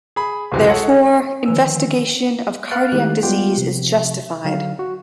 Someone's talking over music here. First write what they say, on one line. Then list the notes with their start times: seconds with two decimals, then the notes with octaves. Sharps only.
Therefore, investigation of cardiac disease is justified.
0.16 G#4 B5
0.52 C#2 F#2 C3 E3 G#3
0.65 G#4 A4 C#5 F#5
1.46 D3 D#3 F3 B4 G#5 E6
2.71 B4 F5 F#5 F6 F#6 A6
2.92 D#3 G#3 A3 E4 G4 F#6
3.23 G3 G#3 B3 F4 G4 G5
3.58 C3 F3
4.45 D3 F#3 F5
4.79 F#4